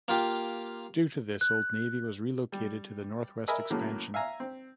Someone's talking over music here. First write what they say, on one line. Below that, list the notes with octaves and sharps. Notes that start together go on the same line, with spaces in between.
Due to this, Old Navy was relocated to the Northwest Expansion.
A#3 F4 G4
F#6
G3
A#4 D#5 E5 G#5 B5 E6
A2 C#3 F#3 A#3
E5 F5 G#5 A#5
C4